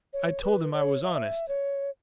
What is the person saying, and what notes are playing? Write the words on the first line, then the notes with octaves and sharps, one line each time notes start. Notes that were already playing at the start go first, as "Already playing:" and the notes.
I told him I was honest.
C#5
B4
C#5
E5
C#5